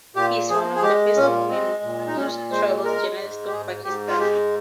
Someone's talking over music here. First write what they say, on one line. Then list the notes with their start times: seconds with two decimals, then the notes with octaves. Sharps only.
He is one of the best known and most travelled journalist of Pakistan.
0.15 A#2 G4
0.49 F3 G#4
0.75 G#4
0.82 G#3 G4
1.16 A#2 C#4
1.49 G#3 C4
1.83 A#2
2.08 D#4
2.16 A#2 C#4
2.50 G#3 C5
2.85 G#3 A#4
3.18 G#2
3.47 G4
3.51 G#2 G#4
3.84 G#2 G4
4.09 F4
4.18 G#3 G4